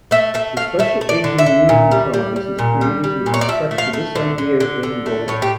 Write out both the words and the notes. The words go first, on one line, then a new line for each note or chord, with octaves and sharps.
The "Special Asian Unity Prize" is created with respect to this idea and goal.
A3 E5
A3 E5
A3 F5
A3 E5
A3
D5
D3
E5
D3
A#2
G3
G3
G3
A#2
G3
G3
A#2
C#5
D5
F3 E5
A3
F5
A3
D3
D3
D3
D3
A3
A2 C#5
G4